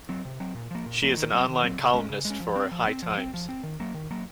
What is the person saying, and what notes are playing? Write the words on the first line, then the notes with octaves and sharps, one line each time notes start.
She is an online columnist for "High Times".
F#3 C4
C3
F#3 C4
A#2
F3 A#3
A#2
F3 A#3
D#3
F#3 C4
D#3
F#3 C4
C#3
G#3 C#4
C#3
G#3
C#4
F3
C4
F3
C4
F3
C4
F3
C4
D#3
F#3 A#3
D#3
F#3 A#3